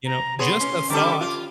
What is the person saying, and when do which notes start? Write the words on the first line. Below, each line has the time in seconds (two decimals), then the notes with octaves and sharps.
You know, just a thought."
0.06 A#5
0.39 B3 G#4 C#5 C6
0.60 C#4
0.90 D3 G3 A4 D6
1.21 F4